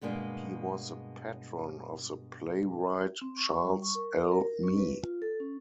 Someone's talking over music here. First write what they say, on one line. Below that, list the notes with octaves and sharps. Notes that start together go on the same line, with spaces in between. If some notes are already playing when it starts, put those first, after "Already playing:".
He was the patron of the playwright Charles L. Mee.
G2 B2 G#3 A#3 D4
C4
C#6
G3
C#6
A#4
A#4
C#4
B4
F4
A4
C#4